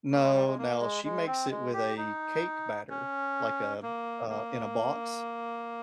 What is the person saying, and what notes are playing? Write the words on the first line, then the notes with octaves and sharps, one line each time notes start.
No, now, she makes it with a cake batter, like, a uh, in a box.
A#3
G#3
G3
G#3
A#3
G#3
G#3
C4
G#3
G4
D#4
C#4
A#3
A#3